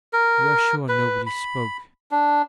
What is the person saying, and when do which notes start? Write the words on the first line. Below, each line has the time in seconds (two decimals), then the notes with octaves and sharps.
'You are sure nobody spoke?'
0.13 A#4
0.88 B4
1.27 B5
2.11 D4